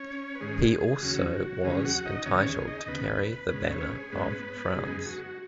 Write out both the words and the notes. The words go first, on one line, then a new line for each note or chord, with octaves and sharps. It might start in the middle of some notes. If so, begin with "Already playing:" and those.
He also was entitled to carry the banner of France.
Already playing: C#4 C#5
B4
G#2 D#3 G#3 C#4 G#4
D#2 C#3 F#3 C#4 F#4
F#4
D#2 C#3 F#3 C#4 G#4
F#4 F#5
D#4 D#5
D#2 C#3 B3 C#4 C#5
G#4
D#4 D#5
D#2 C#3 B3 B4
G#2 G#3 B3 C#4 B4
C#4 C#5
B4
G#4
G#2 G#3 B3 C#4 B4
F#4
F#2 C#3 G#3 B3 D#4 G#4
F#4